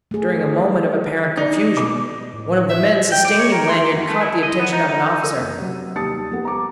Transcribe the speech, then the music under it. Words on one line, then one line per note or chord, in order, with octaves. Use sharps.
During a moment of apparent confusion, one of the men sustaining Lanyard caught the attention of an officer.
A3 G#4
D4 D#4 D5
B2 D6
A2
E5
G5
D5
C#5
A#4
C6
F#2
A3
E4
D#5
B3
D#4
D#4
A#4 E6 D#7
F#1
C3 F#3
D#2 G3 A5 D#6 A6 C#7
F3 G3 A#3 B3
A#5 D6